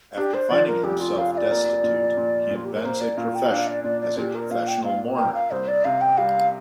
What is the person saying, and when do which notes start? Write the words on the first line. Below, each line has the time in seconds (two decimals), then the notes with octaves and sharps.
After finding himself destitute, he invents a profession as a Professional Mourner.
0.17 D4 G4
0.34 C5
0.51 F3 D5
0.67 A#4
0.84 F1 G4
1.01 F4
1.17 F3 F5
1.34 F5
1.38 D5
1.51 A#3
1.84 A#2
2.17 A#2
2.51 A#2 F4
2.65 G4
2.75 A#4
2.85 A#3 C5
3.01 D5
3.17 A#2 F5
3.35 G5
3.51 D4 F5
3.68 D5
3.84 A#2 D5
4.01 D5
4.17 A#2 G4
4.35 A#4
4.51 A#2 F5
4.68 G5
4.84 A#2 F5
5.17 A#3 G5
5.34 F5
5.51 C2 C5
5.68 D5
5.85 C3 F5
6.01 G5
6.18 G3 F5